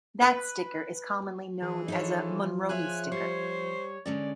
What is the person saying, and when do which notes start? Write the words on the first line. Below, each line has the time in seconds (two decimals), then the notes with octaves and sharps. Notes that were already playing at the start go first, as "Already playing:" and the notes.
That sticker is commonly known as a "Monroney sticker".
0.22 B4
1.62 E3 G#4
1.88 F3 D#4 A4 C#5
2.69 G#4 C#5 E5 G#5 F#6
3.12 G3 C5 C#5
4.06 D3 G#3 C#4 D5